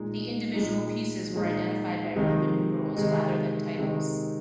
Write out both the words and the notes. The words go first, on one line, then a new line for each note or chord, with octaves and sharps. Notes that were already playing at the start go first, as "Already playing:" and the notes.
The individual pieces were identified by Roman numerals rather than titles.
Already playing: A#2 G#3 D#4
A#2 G#3 D#4
A#2 G#3 D#4
C3 D#3 G#3 C4 D#4
C3 D#3 G#3 C4 D#4
C3 D#3 G#3 C4 D#4